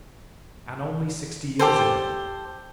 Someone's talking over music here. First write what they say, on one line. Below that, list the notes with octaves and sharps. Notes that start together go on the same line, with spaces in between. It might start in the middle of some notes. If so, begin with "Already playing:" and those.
And only sixty years ago!
G4 A4 C5